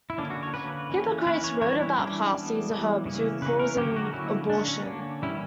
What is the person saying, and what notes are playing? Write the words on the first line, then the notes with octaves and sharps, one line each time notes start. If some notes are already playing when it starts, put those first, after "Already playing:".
Hippocrates wrote about parsley as a herb to cause an abortion.
E4
D3 A#3 C#4 D4
F#4
C#5
D3 A#3 C#4 B4
E3 A#3 C#4
E3 A#3 C#4 B4
C#5
E3 G3 C#4 C#5
E4
E3 G3 C#4 D4
E3 G3 B3
E3 G3 B3
C#3 E3 A#3 C#4
C#3 E3 A#3 C#4 B4
A#4
D3 F#3 A#3 C#4 G4
F#4
D3 F#3 A#3 C#4 E4
D3 A#3 C#4 D4
C#4
D3 A#3 C#4 D4
E3 G3 C#4 E4